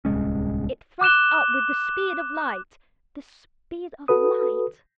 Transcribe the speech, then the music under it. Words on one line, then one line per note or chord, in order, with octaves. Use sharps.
It thrust up with the speed of light--the speed of light?
D1 C2 G#3 C#4
D6 F#6 E7 G7
F#4 A4 B4 D#6